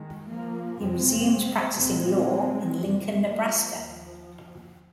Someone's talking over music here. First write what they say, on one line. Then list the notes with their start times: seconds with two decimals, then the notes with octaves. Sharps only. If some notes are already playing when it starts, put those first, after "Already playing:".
He resumed practicing law in Lincoln, Nebraska.
Already playing: D#3 G#3
0.30 F3 A#3
0.80 F2 C3 G#3 C4
1.78 C2 A#2 G#3 C4
2.77 F2 C3
3.27 F3 A#3
3.75 D#2 F3